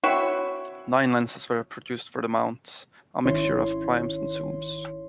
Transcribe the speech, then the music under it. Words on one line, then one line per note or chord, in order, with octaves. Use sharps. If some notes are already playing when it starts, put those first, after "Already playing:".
Nine lenses were produced for the mount, a mixture of primes and zooms.
C4 E4 F#4 C#5
G#1 D#3 C#4 E4 C#5 C6